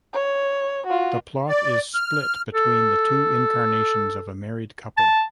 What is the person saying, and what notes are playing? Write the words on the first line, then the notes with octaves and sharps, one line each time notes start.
The plot is split between the two incarnations of a married couple.
C#5
F4 F#4
D5
F6
A4
A5